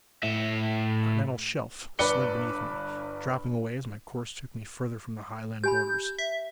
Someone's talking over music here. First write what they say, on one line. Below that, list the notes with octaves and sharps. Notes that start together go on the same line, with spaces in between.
The Continental Shelf slid beneath me, dropping away as my course took me further from the Highland borders.
A2 E5
G1 B4 D5 C#7 G7
G4 G#5 B5 G6
E5